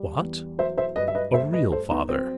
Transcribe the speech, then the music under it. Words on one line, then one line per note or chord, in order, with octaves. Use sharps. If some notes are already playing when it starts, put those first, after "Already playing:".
"What? a real father?"
Already playing: G3
E2
F#3 C5 E5
C5 E5
G2 B4 D#5
E5
B4 D#5
A3 C5 E5
B4 D#5
G2 A4 C5
B3 D#4
F#3 C4